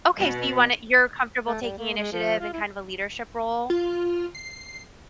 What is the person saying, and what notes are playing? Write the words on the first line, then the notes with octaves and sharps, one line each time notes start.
Okay, so you wanna you're comfortable taking initiative in kind of a leadership role?
B2
A3
G3
A#3
G#3
F3
F4
E4
F4
C7